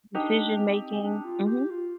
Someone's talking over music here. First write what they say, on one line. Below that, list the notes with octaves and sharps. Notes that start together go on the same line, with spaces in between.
Decision making, mhm.
D4 D#4 G4
C4
D4
F4
G4
F4